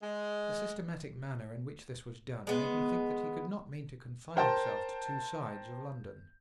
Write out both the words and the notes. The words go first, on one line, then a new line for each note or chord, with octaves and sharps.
The systematic manner in which this was done made me think that he could not mean to confine himself to two sides of London.
G#3
G#3 B3
A#4 C5 G5 A5 C6